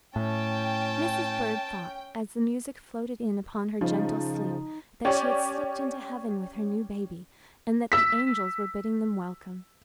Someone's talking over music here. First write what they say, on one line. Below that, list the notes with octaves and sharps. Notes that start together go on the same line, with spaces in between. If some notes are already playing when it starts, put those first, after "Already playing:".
Mrs. Bird thought, as the music floated in upon her gentle sleep, that she had slipped into heaven with her new baby, and that the angels were bidding them welcome.
A2 C#4 G5 A5
C#3 F3 D#4
C#4 G4 C#5 D5
E6 B6